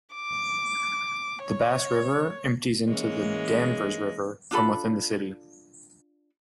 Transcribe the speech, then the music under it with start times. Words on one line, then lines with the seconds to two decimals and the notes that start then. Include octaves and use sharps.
The Bass River empties into the Danvers River from within the city.
0.15 D6
1.43 C#5
2.87 E3 G#3 A#3 C#4
4.51 D4 F4 A4 B5